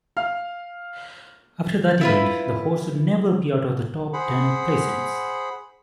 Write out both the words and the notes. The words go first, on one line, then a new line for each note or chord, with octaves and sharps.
After that event, the horse would never be out of the top ten placings.
F5 F6
E4 F4 B4
G#4 C5 F#5 B5